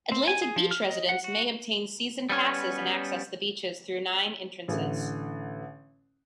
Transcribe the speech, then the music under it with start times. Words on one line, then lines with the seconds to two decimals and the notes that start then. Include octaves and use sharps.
Atlantic Beach residents may obtain season passes and access the beaches through nine entrances.
0.12 C4
0.28 G#5
0.42 G#4
0.56 F3
0.71 F6
0.85 D#5
1.09 F#5
1.24 F#4
2.30 G3 B3 C#4 C#5
4.68 A1 D3